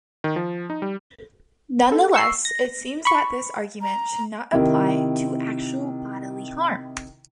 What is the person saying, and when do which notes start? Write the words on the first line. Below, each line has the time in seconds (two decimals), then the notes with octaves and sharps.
Nonetheless, it seems that this argument should not apply to actual bodily harm.
0.24 D#3
0.36 F3
0.70 D#4
0.82 G3
1.92 A4
2.14 C#6 E6 C7
2.45 A#6
3.05 B5 C#6
3.82 A#5
4.53 C3 D#3 E4